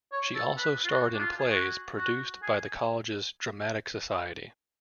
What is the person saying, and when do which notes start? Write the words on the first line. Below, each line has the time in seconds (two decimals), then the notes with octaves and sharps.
She also starred in plays produced by the college's dramatic society.
0.12 C#5
0.35 A4
0.58 B4
0.84 F4
0.89 F#4
1.13 D4
1.20 F4
1.39 G#4
1.50 F#4
1.97 F#4
2.43 G#4